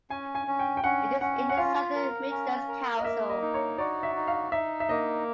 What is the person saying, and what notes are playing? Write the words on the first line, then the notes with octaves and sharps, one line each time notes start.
It is in the Southern Midlands Council.
C#4 G#5
G#5
C#4
G5
G5
C#4 F#5
C#4 F#5
F#5
F4 F5
A#4
C#4
A#4
D#5
A#3 E5
D#5
D#4
C#5
F#4 D5
E5
D#4
F5
D#4 E5
E5
A#3 D#5